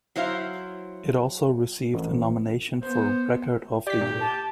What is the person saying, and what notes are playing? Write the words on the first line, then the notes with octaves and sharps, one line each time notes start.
It also received a nomination for Record of the Year.
F#3 E4 C5 F5
A1
B3 C5
G4 D5 B6
A#2
A5